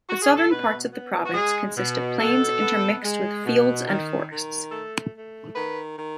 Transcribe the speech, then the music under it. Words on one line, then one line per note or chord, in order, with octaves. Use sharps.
The Southern parts of the province consist of plains intermixed with fields and forests.
F#4
G#4
A4
B2 B4
B3
F#4
G#3 G#4
B2
B2 A4
B3
G#3
B2
D#3
D#3
A3 A4
A3
D#3 B4
D#3